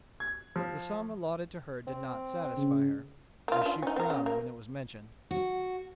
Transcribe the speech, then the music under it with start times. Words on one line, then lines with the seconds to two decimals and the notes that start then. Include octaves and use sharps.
The sum allotted to her did not satisfy her, as she frowned when it was mentioned.
0.20 G#6
0.56 F3
1.87 C4
2.57 C#3
3.48 A#3 F4
3.62 D4 F4
3.82 C#4 D#4
3.96 C4 A#4
4.10 C#3
4.26 A#3
5.31 F#4